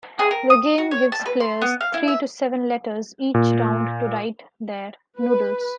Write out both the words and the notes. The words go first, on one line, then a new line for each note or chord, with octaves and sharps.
The game gives players three to seven letters each round to write their Noodles.
G#4
A#4
D#6
F#4
C#5
A5
B4
C6
B3
F5
E4
E5
A#2
B4